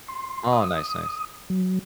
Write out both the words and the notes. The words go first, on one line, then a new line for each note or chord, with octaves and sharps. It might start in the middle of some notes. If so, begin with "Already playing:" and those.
Oh, nice, nice.
C6
D#6
F#3